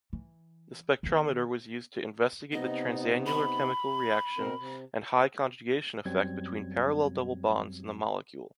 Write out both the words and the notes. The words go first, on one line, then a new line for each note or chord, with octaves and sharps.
The spectrometer was used to investigate the transannular chemical reaction and high conjugation effect between parallel double bonds in the molecule.
E3
D#3 B3
C3 B3 D#4 D#5
B5
B2 C4 A#4
C3
F#2 F#3 G3 C4 G#6